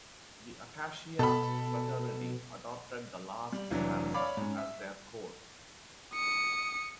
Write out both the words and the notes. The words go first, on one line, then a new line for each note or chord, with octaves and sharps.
The Acacia Fraternity adopted the last stanza as their code.
B2 A4 B5
G3
F1 E3 F#3 D4
C#5 D5 F5 B5 D6
G#2 C#4
E5
D#6 C#7